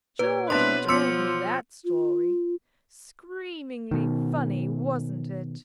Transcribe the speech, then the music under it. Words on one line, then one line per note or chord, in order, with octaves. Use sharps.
Georgey told me that story. Screamingly funny, wasn't it?
A#2 B4 C#5
B2 C4 D4 E4 B4 C6
F3 B3 C6 D6 E6 B6 C#7
F4
B2 D#3